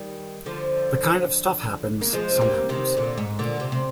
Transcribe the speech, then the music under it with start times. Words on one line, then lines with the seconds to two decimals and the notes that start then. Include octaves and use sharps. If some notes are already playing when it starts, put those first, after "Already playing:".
The kind of stuff happens sometimes.
Already playing: D#3 G3
0.46 D3 F3
2.01 A#3
2.13 F3 G#3
2.37 C4
2.41 G3 A#3
2.69 C3 D#3
2.97 A#2 D3
3.18 G#2
3.39 A#2 D3
3.60 C3
3.72 C3